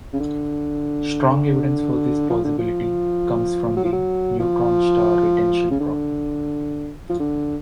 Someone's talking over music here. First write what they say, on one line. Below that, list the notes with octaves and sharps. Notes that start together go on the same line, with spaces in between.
Strong evidence for this possibility comes from the "neutron star retention problem".
C#3
D3
F3
D3
F3
F#3
F3
F#3
F3
C#3
D3
F3
D3